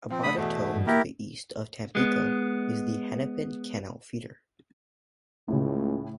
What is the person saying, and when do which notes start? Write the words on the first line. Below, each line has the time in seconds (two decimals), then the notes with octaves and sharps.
About a to the east of Tampico is the Hennepin Canal feeder.
0.10 F3 C4
0.23 D3 A3 B5 D#6
0.36 E2 B2 A3
0.74 G2
0.87 A#3 E4 G4 A#4
1.95 G#3 B3
5.48 C#2 A2 C#3